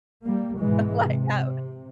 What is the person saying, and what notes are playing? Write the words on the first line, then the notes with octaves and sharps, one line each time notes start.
like, have
G3 A#3
G#2 B2 E3 G#3
C3